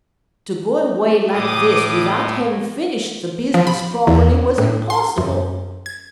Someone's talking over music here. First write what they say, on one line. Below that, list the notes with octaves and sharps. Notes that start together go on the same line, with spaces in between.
To go away like this without having finished the business properly was impossible.
A2 D6 D#6
F3
B5
E2
A2
C6
F#2
G#6